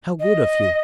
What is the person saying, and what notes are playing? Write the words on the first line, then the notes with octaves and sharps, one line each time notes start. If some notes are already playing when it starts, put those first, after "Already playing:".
"How good of you!"
D#5